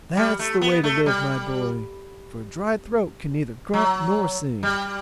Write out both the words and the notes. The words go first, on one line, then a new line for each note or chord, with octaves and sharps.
"That's the way to live, my boy, for a dry throat can neither grunt nor sing."
G3
A3
B3
A3
G3
F#3
G3